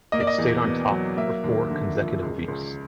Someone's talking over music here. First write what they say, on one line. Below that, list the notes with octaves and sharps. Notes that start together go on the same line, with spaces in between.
It stayed on top for four consecutive weeks.
A#3 D#5
D5
D#5
E2
B2
F#3
A#3 E5
D#2
D3
F3
C#2
C#2